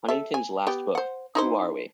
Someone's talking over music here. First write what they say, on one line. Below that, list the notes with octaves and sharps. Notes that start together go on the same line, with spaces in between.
Huntington's last book, Who Are We?
A4 E5
G#5
B3 G4 G5
C5 F#5
D#4 E4 C5